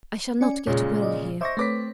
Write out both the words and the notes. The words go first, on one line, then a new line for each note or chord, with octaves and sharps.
I shall not get well here.
C#4 D5 G#5
A#2 C#3 G#3 C#5
D5 D#5
C5 D#5 E5 C#6 D6 A#6
A3 C4 B4 C#5 D6 B6